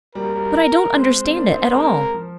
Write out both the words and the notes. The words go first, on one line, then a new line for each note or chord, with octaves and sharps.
But I don't understand it at all!
G3 A#3 A#4
G3
G#3 C4 C5
C4
A#3 D4
C4 D#4
G#3 C4 A#4
F3